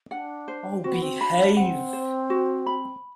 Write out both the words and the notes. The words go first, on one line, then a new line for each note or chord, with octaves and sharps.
Oh, behave!.
D4 F#5
C5
C4 F#4
B3
C4
D4 B5
C4 F#5
C5
F#4
B5